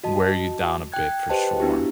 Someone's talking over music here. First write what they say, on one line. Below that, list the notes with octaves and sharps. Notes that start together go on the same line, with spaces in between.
wear you down a bit for sure.
F#4 D#5 A5
G5 F#6 G#6
G4 B4 C5 D#5 G5 A5
B3 D4 E4 F#4 G4